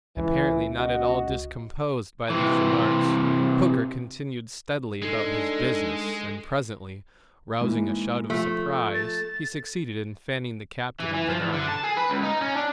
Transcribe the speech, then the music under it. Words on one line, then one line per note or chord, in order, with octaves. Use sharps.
Apparently not at all discomposed by these remarks, Hooker continued steadily about his business, and presently, rousing a shout of surprise, he succeeded in fanning the captain of the nine.
C#2 E3
F#4 D#5
C3 E3
G#3 D4 D#4 A4
G#2 E3 A#3
F3 A3
A6
E3
E3
F3
E2
D3
A5
G#4
B4
C#2
D#4
C#4
D4